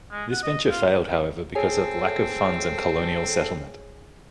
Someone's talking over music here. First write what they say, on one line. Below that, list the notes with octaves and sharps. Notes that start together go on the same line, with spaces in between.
This venture failed, however, because of lack of funds and colonial settlement.
G#3
F#5
D#5
F4
C4 G#4 A4 C#5 G#5